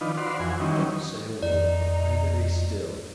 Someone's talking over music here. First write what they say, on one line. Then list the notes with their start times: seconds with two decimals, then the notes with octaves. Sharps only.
"Don't say a word, but lie very still."
0.01 D#3 F3 D4 D#4 F4 B4
0.17 F#4 B4 C5 D5 F5 C6
0.40 F2 E3 F#4 G#5
0.60 D#3 E3 F#3 G3 C#4 D#4
1.43 F2 D#4 D5